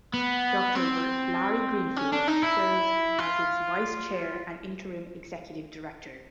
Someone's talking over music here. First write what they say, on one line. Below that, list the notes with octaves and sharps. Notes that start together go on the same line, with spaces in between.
Doctor Larry Greenfield serves as its Vice Chair and Interim Executive Director.
B3
C4
C#4
D4
D#4
E4
F4